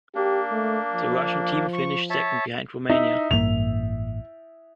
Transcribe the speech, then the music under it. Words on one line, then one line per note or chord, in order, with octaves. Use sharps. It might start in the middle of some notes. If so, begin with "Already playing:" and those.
The Russian team finished second behind Romania.
A#3 D4 G4
A3
F3
C#6
C#5 E5 A5
D#4 E5
A1 G2 A#3 F7